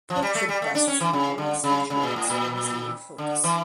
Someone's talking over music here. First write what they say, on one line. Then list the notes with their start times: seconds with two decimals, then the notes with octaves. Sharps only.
Portrait busts and bronze statuettes were his main focus.
0.10 F3
0.22 G3
0.35 A3
0.49 G3
0.62 A3
0.75 D4
0.88 C#4
1.00 E3
1.13 C#3
1.38 D3
1.64 C#3
1.90 C#3
2.03 A#2
2.16 A2
2.30 A#2
3.18 D3
3.44 E3